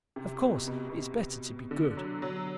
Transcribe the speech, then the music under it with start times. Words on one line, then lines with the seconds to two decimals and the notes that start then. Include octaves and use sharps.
Of course it's better to be good.
0.16 C3
0.42 B2
0.68 B2
0.89 B2
1.71 D3
1.97 F#3
2.22 F#3